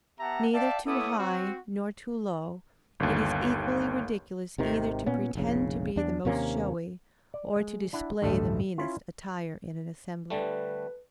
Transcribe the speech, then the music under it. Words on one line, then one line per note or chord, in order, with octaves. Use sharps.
Neither too high, nor too low; it is equally ridiculous either to pretend to be the most showy, or to display the meanest attire in an assembly.
B3 G4 E5 F#5 A5 A#5
D5 E5 F5 G5 A5
B3 E4 A4 C#5 D6 D#6
C4 F#4
G1 D#2
G#1 C3 D#3
A#2 B3 C#4
F1 A#1 C#3
E2 D4
D#2 C3 A#3 C#4
D5
G#3
D4 E4 F#5
A1 D2 G2 A3 A4 D#5
C#4 E4 F4
D3 G3 A3 B4